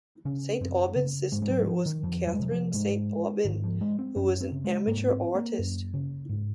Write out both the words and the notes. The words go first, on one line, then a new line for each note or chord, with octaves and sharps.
Saint Aubyn's sister was Catherine Saint Aubyn, who was an amateur artist.
C#3 C#4
F#2 C4
C#3
G#2 G#3
G#3
F#3
F3
D#3
F2 F3
F#3
G#3
C3 F#3
F3
G#2 G#3
G#2 D#3
F3
G#3
C4
F#2 C#4
C4
C#3
G#3
G#2 A#3
C4
A#3
F#2
C#3
G#2